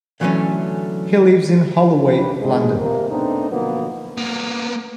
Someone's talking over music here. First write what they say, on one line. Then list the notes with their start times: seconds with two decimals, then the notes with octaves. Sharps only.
He lives in Holloway, London.
0.20 D3 E3 F#3 G3 A3 C#4
2.09 C#4 D4 G4 B4
2.40 C#2 G2 A#2 G#3
2.79 C3 A#3
3.10 A3 B3 C4 D4 D#4
3.51 B2 D3 F3 F#3 A#3 B3
4.17 A#3 B3